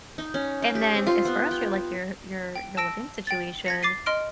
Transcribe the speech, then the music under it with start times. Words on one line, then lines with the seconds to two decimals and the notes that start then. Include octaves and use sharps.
and, then, as far as your, like, your your your living situation,
0.18 D#4
0.34 C#4
0.62 D#4
0.75 G4
0.95 C4
1.07 F4
1.25 B3
1.51 G5
2.55 G5
2.77 A5 E6 A#6 D7
3.27 G5 A6
3.66 G#6 A#6 C#7
3.83 D6 A6 C7 D#7
4.06 D#5 C6 F6 D7